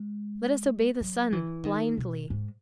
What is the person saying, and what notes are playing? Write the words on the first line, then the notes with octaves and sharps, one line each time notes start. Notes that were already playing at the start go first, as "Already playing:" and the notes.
Let us obey the sun blindly.
Already playing: G#3
F#3
E3
D#3
B2
G#2